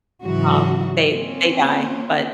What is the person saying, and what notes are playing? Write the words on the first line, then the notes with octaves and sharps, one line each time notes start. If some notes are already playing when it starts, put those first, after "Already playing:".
um, they they die, but
G#2 C#3 E3 F#3 F#4
A#3 C4 C#4 F4